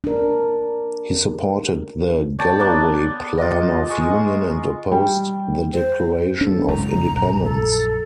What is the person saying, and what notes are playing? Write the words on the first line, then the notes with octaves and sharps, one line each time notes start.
He supported the Galloway Plan of Union and opposed the Declaration of Independence.
D4 A#4
C#5 D5 G5 A5
A#3 B3 D4
F4 D#5
G#3 C#6 D#6
G3 G5
C5
C#4 D4 A4
F#1 C#2 G#2 A#5
A#1 F#2
A4